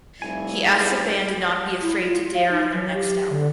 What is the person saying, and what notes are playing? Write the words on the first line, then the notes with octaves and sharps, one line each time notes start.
He asked the band not to be afraid to dare on their next album.
F1 G3 E4 G#5
B1 G#3
E4
F4
F5
D#4
F#3
G4
D3